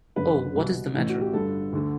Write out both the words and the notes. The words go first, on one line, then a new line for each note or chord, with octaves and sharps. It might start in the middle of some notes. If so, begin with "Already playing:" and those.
Oh, what is the matter?
F#1 F#2 D3 B4
C2 B2
A1 A2 E3
F#4
G4
G1 G2 D3 A4
D2 D3